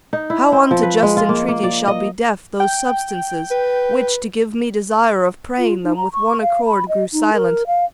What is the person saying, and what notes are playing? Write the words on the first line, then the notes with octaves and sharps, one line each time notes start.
How unto just entreaties shall be deaf Those substances, which, to give me desire Of praying them, with one accord grew silent?
D#4
E4
C4
F3
B4
G#3
F4
A#3
A#3
D5
D#5
G5
B4
F4
D#4
A#5
C#6
F5
B5
D#5
D#4
A#4
F5